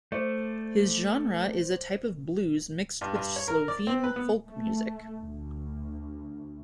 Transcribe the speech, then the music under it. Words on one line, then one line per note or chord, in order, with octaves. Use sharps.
His genre is a type of blues mixed with Slovene folk music.
A3 C5 D5
G2
G2
C#5
A#4
D5
C4
B4
B3
A3
D2